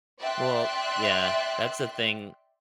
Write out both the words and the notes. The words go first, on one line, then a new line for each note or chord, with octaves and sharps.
Well yeah, that's the thing.
D5 E5 G5 C6 F#6